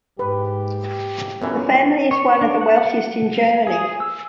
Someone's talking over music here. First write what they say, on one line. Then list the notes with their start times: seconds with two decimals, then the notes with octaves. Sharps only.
The family is one of the wealthiest in Germany.
0.19 G#2 G4 B4
1.42 G1 F#2 E3 B3 C#4
2.11 C#5
2.41 D4
2.61 F#5
3.67 G#4
4.00 E6